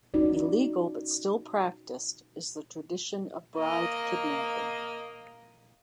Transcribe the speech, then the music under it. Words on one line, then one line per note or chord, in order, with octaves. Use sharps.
Illegal, but still practiced, is the tradition of bride kidnapping.
C#4 D#4 F#4 D5
A#3 D#5